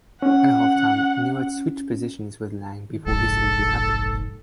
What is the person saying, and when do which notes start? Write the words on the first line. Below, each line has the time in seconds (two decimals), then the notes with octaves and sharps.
At halftime Neal had switched positions with Lang before his injury happened.
0.22 C#4 F#5
3.06 F1 A#1 G#2 A4